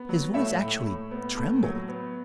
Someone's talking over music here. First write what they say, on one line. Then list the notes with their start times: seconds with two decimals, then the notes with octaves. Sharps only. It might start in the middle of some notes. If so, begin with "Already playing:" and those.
His voice actually trembled.
Already playing: B3
0.09 F#3
0.34 A2 C#5 E5
0.61 A2
0.86 A2
1.11 B3
1.37 A2
1.62 F#3
1.88 B3